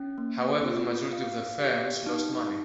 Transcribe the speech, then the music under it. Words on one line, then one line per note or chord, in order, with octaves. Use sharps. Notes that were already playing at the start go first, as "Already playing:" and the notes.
However, the majority of their films lost money.
Already playing: C#4
A#3
F4
F5
G4
D#4